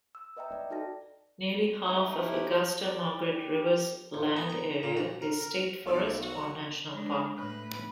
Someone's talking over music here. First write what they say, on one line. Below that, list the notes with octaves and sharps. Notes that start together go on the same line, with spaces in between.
Nearly half of Augusta-Margaret River's land area is state forest or national park.
E6
B4 D#5 E5 G5 A#5
D5
D#4 F#4 A4 D5 A5 A#6
A3 D#4 B4
E4 G4
D5
G4
A1
B3
A#5
A#2
F#4
A#4
A#4
B1 E4 C5 D5 F5 E6
F#4
G#3 D4
A2 B4